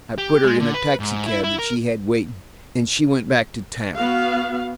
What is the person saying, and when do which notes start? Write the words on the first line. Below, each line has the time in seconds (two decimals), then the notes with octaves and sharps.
I put her in a taxicab that she had waiting, and she went back to town.
0.18 G4
0.44 G#3
0.60 D3
0.74 B4
1.00 G#2
1.26 E4
1.44 E4
1.59 A#4
3.96 B3 F#4 F5